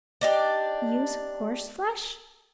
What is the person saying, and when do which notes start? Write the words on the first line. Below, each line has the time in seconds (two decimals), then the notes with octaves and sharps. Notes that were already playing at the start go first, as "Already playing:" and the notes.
Use horseflesh?
0.21 D4 D#4 G4